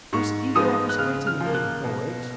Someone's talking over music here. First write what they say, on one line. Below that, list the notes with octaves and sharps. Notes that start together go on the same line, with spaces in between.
"Does either of us get anything for it?"
G#2 C#6
F3 G#3 B3 D#4 D#6
F#6
C#3 F6
F6
F3
A#3
F#6
B2